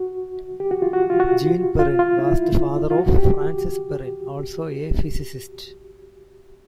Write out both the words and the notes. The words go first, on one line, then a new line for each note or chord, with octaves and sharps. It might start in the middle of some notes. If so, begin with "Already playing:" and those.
Jean Perrin was the father of Francis Perrin, also a physicist.
Already playing: F#4
G4
F#4
F4
F#4
F4
F#4
F4
F4
E4
F4
F#4
G4